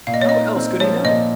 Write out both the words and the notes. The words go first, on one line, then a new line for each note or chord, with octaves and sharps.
How else could he know?
A#2 F5
D#5
C#5
D#4 D#5
C4
F3 C#5
A#2 D#5